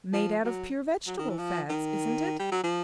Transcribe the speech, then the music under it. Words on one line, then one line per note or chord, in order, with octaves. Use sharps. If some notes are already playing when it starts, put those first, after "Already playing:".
"Made out of pure vegetable fats, isn't it?"
F3
F#3
F#3
D#3
E3
F3
D#3
G3
F#3
F3